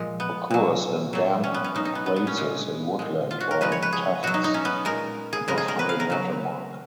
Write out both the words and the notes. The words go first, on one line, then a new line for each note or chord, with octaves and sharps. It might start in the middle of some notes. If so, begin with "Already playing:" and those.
Occurs in damp places in woodland or in tufts above high water mark.
Already playing: A#2 F3 G#3
B3
B2 F#3
A#2 F#3
C#4
B3
C#4
B2 F#3 D#4
D#4
B3
B3
B3
C#4
A#2 G#3
A#2 G#3
F4
F#4
A#4
C#3 F3 G#3 B4
C#5
B4
G#4
B2 F#3 F#4
D#4
D#4
C#4
B3
A#2 G#3 A#4
G#4
C#3 G#3 A#4
G#4
A#4
B4
F5
A#4
C#3 F#3